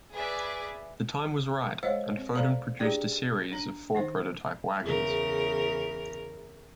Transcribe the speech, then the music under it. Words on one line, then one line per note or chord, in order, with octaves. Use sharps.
The time was right and Foden produced a series of four prototype wagons.
G#4 B4 D5 E5
G#3 C5 C#5 D#5 F5 F#5
C4
A4 C5 D5 F5 A#5 B5
D4 G4 G#4 D5 G5
D4 A#5
D#3 D#4 C5
E2 C#3 A#4